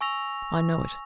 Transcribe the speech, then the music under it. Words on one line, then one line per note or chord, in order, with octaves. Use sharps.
I know it.
G#5 C#6 E6 A#6 F7